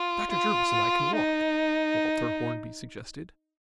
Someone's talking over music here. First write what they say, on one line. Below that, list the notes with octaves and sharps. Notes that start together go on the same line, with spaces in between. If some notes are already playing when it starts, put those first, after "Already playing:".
"Dr. Jervis and I can walk," Walter Hornby suggested.
Already playing: F4
F4
D#4